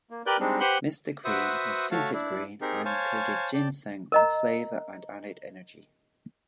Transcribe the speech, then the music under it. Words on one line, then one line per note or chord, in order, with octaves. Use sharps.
Mr. Green was tinted green, and included ginseng for flavor and added energy.
A#3
G4 A#4 B4 D5 F#6 G6
G3 G#3 C4 D4 D#4
G4 B4 C5 F#5 B5 C6
F#4 B4 C5 E5 F#5 D#6
A3 F#4 C#5 F5 A5
D4 E4
C4 D#4 G4 G#4 A#4
C5 C#5 F5 G#5 A5
D5 G5 A5
A#4 D#5 A#5